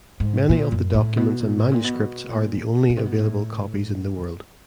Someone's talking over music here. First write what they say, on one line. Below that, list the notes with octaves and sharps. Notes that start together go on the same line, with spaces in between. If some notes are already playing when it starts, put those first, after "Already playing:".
Many of the documents and manuscripts are the only available copies in the world.
G#2
A#2
F#2
A2
B2
A#2
A2
A#2
B2
A#2
B2
C3
B2
A2